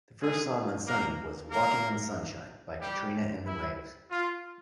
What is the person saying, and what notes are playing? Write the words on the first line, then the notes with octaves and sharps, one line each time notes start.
The first song on "Sunny" was "Walking on Sunshine" by Katrina and the Waves.
G#3 G#4
A#3 A#4
A#3 A#4
G3 G4
E4
F4